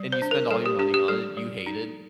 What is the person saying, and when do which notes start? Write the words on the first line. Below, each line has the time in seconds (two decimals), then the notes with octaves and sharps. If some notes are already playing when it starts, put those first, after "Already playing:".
And you spend all your money on it. You hate it.
Already playing: G3
0.12 C5
0.22 D4
0.31 A#4
0.51 G3 A4
0.66 G4
0.79 D4 G4
0.94 G4
1.08 G3 A4
1.37 G3
1.66 D#4